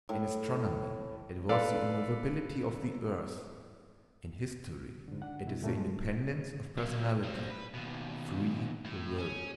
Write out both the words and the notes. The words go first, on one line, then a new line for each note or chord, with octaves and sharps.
In astronomy it was the immovability of the earth, in history it is the independence of personality--free will.
A2
A4 B4 D5 F5
G#2 D3
D4 F#5
B2 E4
D2 A#2 G3 A3 A#3 C#4
G#3
F#3 A#3
G3 C4
B4
D#2 B2
A2
C#4